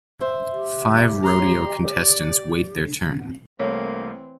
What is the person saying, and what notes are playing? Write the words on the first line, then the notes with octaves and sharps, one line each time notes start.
Five rodeo contestants wait their turn.
C5 E5
G4
A#5 C6
D5
C2 E3 A3 A#3 C4 C#5